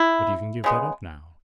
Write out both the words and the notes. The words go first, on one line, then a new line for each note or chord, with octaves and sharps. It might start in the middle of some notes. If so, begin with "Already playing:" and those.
"But you can give that up now."
Already playing: E4
C#3 G#3 B3